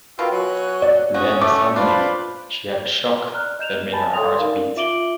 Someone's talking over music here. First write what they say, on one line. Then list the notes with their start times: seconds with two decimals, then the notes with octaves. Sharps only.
Then suddenly she had a shock that made her heart beat.
0.19 B2 F4 A#4 G5 E6
0.31 F#3 G#5 C#6 F#6
0.82 D5
1.14 C#4 F#4 G#5 D#6
1.41 A3 D6
1.76 D4 F4 B4 C5 B5
3.34 D5 A#5 F6 F#6
3.59 D#5 G6 E7 F7
3.93 G#5 A5 B5 A6
4.14 A4 C#5 C6 D#6 F7
4.38 D#4 A#4 D5 F5
4.76 F4 E5 D6 D7 F#7 G7